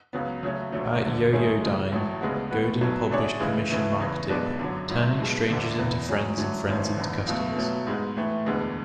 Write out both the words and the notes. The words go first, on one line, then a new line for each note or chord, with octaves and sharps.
At Yoyodyne, Godin published "Permission Marketing: Turning strangers into friends and friends into customers".
C#2 C#3 F#3 B3
C#3 F#3 A3 C#4
D2 D3 F#3 A3
E1 D2 D3
G#2 F#3 A3 C#4 G#4
C#3 E3 G#3
A1 A2 F#3 A3
D2 C#3 G#3 B3 F#4
A2 E3 B3 F#4 B4
B1 B2 F#3 C#4
D3 A3 D4 G#4 C#5
C#2 C#3 E3 G#3
D2 C#3 E3 A3
E2 C#3 E3
B1 B2 G#3 B3 D4
F#2 D3 F#3
G#2 F#3 A3
B1 B2 G#3
E1 D2 D3 A3
E1 E2 C#3 E3 B3
A2 F#3 C#4 G#4
D3 F#3 A3 C#4
G#1 G#2 E3 A3 C#4
F#1 E2 D3
C#2 B2 A3
B2 F#3 A3
G#2 G#3 B3
A2 E3 A3
E1 D2 D3 G#3 B3